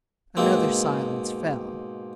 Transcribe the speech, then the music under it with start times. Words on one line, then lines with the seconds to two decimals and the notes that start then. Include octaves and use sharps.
Another silence fell.
0.37 G#2 B2 A#3 C4